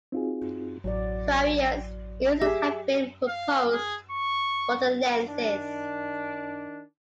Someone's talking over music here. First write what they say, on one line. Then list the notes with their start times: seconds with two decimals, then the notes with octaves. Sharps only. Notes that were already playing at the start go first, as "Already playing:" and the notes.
Various uses have been proposed for the lenses.
0.12 C4 D#4 F4 F#4 G#4
0.84 A1 F#3 F#4 D5
2.41 G4 G#4 E5
3.28 F5
3.73 G#4
4.11 C#6
5.27 D#3 D4